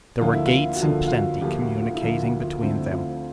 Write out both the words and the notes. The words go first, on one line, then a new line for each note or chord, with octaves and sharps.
There were gates in plenty communicating between them.
D2 D3 F3 A#3 F4
E4
F4
F#4
D2 D3 F3 A#3 F4
F4
F#4
D2 D3 F3 A#3 G4
F#4
F4
E4
D2 D3 F3 A#3 F4
F#4
F4
D2 D3 F3 A3 C4 E4
F4